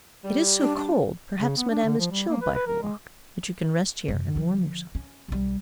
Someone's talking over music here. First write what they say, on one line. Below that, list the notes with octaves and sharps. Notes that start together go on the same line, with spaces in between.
"It is so cold, perhaps Madame is chilled by her walk; but you can rest here and warm yourself."
G3
D4
D4
C#3
B3
D4
D3
F3
G3
A#3
B4
B4
A#4
G#3
F#2 C3
D3 F3
C#4
B1 G3